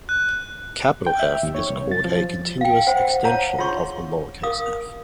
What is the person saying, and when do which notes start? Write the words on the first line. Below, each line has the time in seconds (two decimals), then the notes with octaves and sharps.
"F" is called a "continuous extension" of "f".
0.09 F#6
1.07 G5
1.20 E5
1.43 D#2
1.55 C#5
1.70 C2
1.91 A6
2.05 F3
2.61 F5 G5
2.87 C5 F#5 G5
3.24 C#5 F5 F#5 A5 A#5
3.58 F4 G#4 C#5 C6 C#6
4.43 A#4 F5 D6 D#6